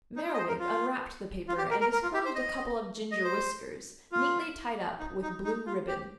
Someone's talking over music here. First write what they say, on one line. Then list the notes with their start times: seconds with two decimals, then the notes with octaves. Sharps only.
Merriwig unwrapped the paper, and disclosed a couple of ginger whiskers, neatly tied up with blue ribbon.
0.16 D#4
0.27 F4
0.34 D#5
0.38 C5
0.48 A#4
0.60 F4
1.48 F4
1.58 G4
1.70 A#4
1.80 A#4
1.92 A#4
2.03 F4
2.14 G4
2.25 C5
2.35 D#5
3.12 D#5
3.24 C5
4.12 F4
4.99 D#4
5.22 D#4
5.44 D#4
5.66 F4
5.88 G4